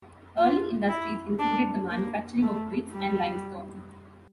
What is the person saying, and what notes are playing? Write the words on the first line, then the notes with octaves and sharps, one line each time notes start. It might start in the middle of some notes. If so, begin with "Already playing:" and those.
Early industries included the manufacturing of bricks and limestone.
F4
E4
D4
A#3
A3
G3